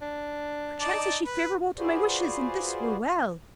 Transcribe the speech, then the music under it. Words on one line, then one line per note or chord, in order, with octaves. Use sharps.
Perchance is she favourable to my wishes, and this were well!'
D4
D#4 D5 A5
B4
F4 F#4 G#4 B4 C5 D5